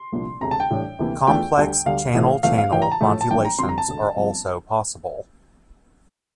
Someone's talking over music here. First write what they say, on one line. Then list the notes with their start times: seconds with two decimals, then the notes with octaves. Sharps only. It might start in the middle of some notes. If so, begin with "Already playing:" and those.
Complex channel-channel modulations are also possible.
Already playing: C6
0.12 C2 A#2 F3 A#3 D4
0.41 E1 D2 C3 A#5
0.51 A5
0.60 G5
0.70 A1 A2 G3 D4
0.99 D2 C3 E3 A#3 E4
1.27 E2 E3 A3 D4 F4 G5
1.57 D2 D3 G3
1.86 D2 D3 G3 F5
2.14 A#1 A2 E3 A3
2.43 G1 F2 E3 A3 F5
2.58 F5
2.72 A1 A2 E3 G5
2.82 A#5
2.92 A5
3.01 A1 A2 F3 A3
3.21 A5
3.30 A1 G2 F3 A#3 D4 G5
3.45 A#5
3.58 G2 D3 F3 C4 C6
3.69 A#5
3.78 A5
3.88 E1 D2 D3
4.16 G1 G2 F3 C4